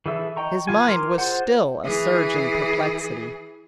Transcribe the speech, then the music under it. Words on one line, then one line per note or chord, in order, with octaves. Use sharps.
His mind was still a surging perplexity.
E3 G#4 A4 E5 E6
D#5 G5 A#5 C#6
F3 F4 G#5
A#4 A#5 C6 D6 F6
F4 G#4 C5 F#5
E3 G#4